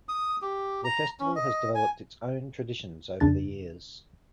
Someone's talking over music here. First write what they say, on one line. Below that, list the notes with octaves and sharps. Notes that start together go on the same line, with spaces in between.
The festival has developed its own traditions over the years.
D#6
G4
A#5
C#4
D#5
G#5
F2 C#3 D4 A6